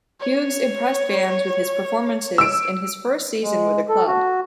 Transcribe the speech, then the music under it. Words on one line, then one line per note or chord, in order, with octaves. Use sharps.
Hughes impressed fans with his performances in his first season with the club.
C#5
E6 D7
G#3
A4
F#4